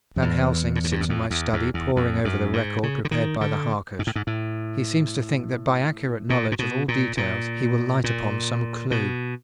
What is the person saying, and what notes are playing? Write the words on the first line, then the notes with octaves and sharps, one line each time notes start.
Van Helsing sits in my study poring over the record prepared by the Harkers; he seems to think that by accurate knowledge of all details he will light upon some clue.
F2
E2
A2
G#2
G2
F#2
F2
E2
E2
E2
F2
F#2
G#2
C#3
D3
D#3
D3
G#2
A2
G#2
A2
A#2
A#2
B2
A#2
A#2
A#2
B2